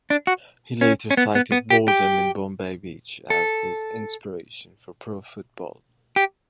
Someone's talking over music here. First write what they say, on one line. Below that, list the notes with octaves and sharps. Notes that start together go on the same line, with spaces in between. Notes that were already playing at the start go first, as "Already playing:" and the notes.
He later cited boredom in Bombay Beach as his inspiration for pro football.
D4
F#4
C#4
C#4
B3
B3
B3
G4
G4
A4
G4